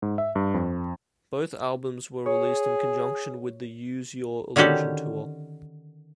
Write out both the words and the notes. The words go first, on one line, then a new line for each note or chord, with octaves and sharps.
Both albums were released in conjunction with the Use Your Illusion Tour.
G#2
E5
G2
F2
G#4 C#5
D3 D#3 C#4 F#4 G4